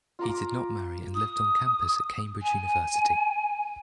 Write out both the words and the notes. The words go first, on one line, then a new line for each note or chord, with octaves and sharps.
He did not marry and lived on campus at Cambridge University.
F4 A#5 D6
D#6
G#5